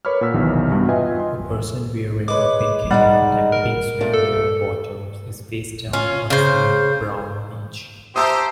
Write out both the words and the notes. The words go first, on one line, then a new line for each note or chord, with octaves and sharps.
A person wearing a pink hat and pink swimwear bottoms is facedown on a smooth brown beach.
A#4 B4 C#5 B5 D6 F6
A#2 F#5 E6 B6
B1 E2 C3 D#3
G2 B2 G3 B3
F4 B4 D#5 E5 G5 G#5
D#5 C6
G#3 B4 C#5 D6
G3 G#3 D#4 F#5
A#4
A#2 A3
A4
C#4 F4
C#3 C5
G4 C5 E5 A5 A#5 D#6 E6